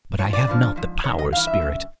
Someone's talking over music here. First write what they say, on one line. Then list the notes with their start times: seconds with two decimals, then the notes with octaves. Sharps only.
But I have not the power, Spirit.
0.19 A#2 C#5
0.24 F3
0.33 D5
0.47 G2 D3 F3
0.76 G#2 F3
1.04 G#2 D#3 C#5
1.19 D#5
1.33 G2 E3 F5
1.47 E5
1.62 F#2 C#3